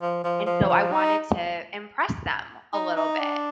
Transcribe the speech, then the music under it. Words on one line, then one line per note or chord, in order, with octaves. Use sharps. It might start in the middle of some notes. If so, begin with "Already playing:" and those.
and, so, I wanted to impress them a little bit.
F3
F3
F3
F3
D#4
D#4
D#4
D4